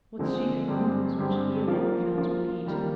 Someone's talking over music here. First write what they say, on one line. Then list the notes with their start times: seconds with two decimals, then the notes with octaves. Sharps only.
What secret wounds which he alone felt bleed!
0.19 D3 F3 G#3 C4
0.68 G2 D3 G#3 C4 G4
1.18 G2 D3 G#3 C4 G4
1.68 F3 A#3 F4
2.17 F3 A#3 F4
2.66 D#3 G3 A#3